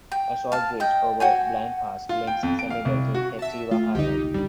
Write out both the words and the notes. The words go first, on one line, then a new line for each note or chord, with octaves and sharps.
A short bridge over Blind Pass links Sanibel to Captiva Island.
G5
F5 A5
D#5 G5
F#4 G5 G#5
F4
G5
F2
D7
F5
C2
F#4
E5 A5
A3 F4
C2 F2 D3 D#4 G4
F#1 G3 D4